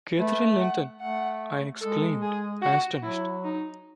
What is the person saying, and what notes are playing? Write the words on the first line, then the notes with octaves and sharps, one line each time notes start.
Catherine Linton?’ I exclaimed, astonished.
A3 B4
F#5
A3 F#5
G#3 A4
G#4
F#4
F#3 E4
D#4